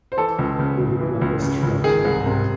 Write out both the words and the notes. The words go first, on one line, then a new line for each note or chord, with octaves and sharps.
You hit my best friend.
C5
E3 A4
C#2
C#3
C#2
E3
C#2
C#3
C#2
D#3 G#4
C2
C3